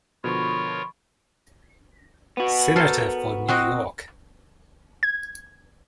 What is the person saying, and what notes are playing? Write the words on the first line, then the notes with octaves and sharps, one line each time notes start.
Senator for New York.
B2 D3 F3 F4 A#4 C#5 B5 C#6
B3 F#4
A4 A#4 C5
C4 F#4 D#5
G#6